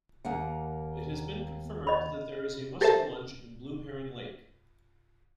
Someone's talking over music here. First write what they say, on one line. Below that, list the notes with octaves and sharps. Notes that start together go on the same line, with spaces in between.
It has been confirmed that there is a muskellunge in Blue Heron Lake.
D#2 A#3 F#5
D#5 B5
G4 A4 A#4 C5 E5 A5